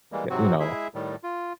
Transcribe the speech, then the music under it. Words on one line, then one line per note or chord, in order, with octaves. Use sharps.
eh, you know?
E3 G3 G#3 A#3
G#2 C3 F#3 C4 F#4
G#3 E4 G#4 E5
A2 D#3 G3
F4